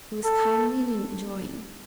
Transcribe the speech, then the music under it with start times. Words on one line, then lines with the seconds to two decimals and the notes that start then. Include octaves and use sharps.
He was kindly and enjoying.
0.24 A4